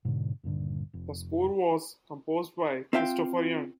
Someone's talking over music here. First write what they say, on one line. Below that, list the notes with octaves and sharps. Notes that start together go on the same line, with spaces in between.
The score was composed by Christopher Young.
G#2 B2 D3
D#1 A#1 G2 D3
F1
C4 F4 E5 F5 G5